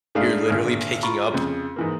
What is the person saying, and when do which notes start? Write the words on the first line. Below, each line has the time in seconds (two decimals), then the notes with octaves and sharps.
you're literally picking up
0.15 G#2 G#3 A3 D4 E4 F5
0.48 G#1 A#2 D3 F6
1.03 F4 A#5 B5 C#6
1.33 F2 C#3
1.76 G#2 E3 A#3